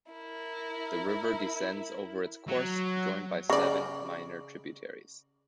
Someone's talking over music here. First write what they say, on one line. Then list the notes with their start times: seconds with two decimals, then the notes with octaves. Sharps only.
The river descends over its course, joined by seven minor tributaries.
0.11 E4 A#4
2.48 F#3
3.50 C#3 D5